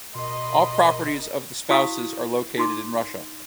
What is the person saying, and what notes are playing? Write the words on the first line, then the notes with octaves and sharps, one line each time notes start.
All properties of the spouses are located in Russia.
D1 B2 A#4 D#5 B5 C6
E4 F#4 F5 C#6 D#6
D#4 C6 D6